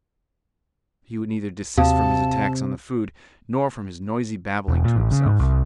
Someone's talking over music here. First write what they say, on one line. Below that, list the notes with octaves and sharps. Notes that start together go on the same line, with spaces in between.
He would neither desist from his attacks on the food nor from his noisy babbling to himself.
D#2 C3 F#4 F5 A5 D#6
E1
A#2
A1
C#3
G#2
C2